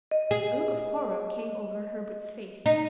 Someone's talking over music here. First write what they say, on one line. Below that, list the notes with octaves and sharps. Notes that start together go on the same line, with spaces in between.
A look of horror came over Herbert's face.
D#5
G#4
D#4